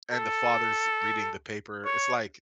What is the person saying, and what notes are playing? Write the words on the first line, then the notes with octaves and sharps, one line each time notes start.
And the father's reading the paper, it's like,
A4
C#5